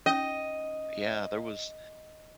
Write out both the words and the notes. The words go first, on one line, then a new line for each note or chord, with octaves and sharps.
Yeah, there was
C#4 D#5